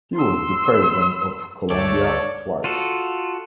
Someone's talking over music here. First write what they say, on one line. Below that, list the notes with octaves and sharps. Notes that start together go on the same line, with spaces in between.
He was the President of Colombia twice.
C6 E6
D2 A3 A4 C#5 D5
F4 F#4 A4